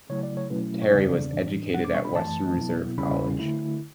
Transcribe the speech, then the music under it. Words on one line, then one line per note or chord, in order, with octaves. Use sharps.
Terry was educated at Western Reserve College.
C#3 F#3 A3 E4 C#5
D5
C#5
B2 F#3 A3 C#4 E4 B4
C#5
E2 C#3 E3 B3 D4 D5
A2 E3 G3 D4
B2 G3 D4 F#5
D6
C#6
B5
F#2 E3 A3 A5
B2 F#3 B3 E4
E2 C#3 G3 C#4 E4 B5
D3 A3 E4